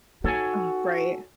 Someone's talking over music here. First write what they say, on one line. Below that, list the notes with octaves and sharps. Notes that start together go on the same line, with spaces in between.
Oh, right.
D#4 F#4 A4 C#5 G#5